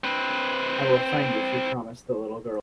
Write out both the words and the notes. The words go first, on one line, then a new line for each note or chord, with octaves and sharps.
"I will find you.", she promised the little girl.
C4 B4